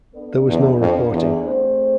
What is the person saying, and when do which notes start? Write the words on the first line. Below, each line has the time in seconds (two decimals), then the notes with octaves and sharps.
There was no reporting.
0.15 B3 D4 A4 D5
0.48 E2
0.80 F2
1.12 E2
1.44 A3 C4 G#4 C5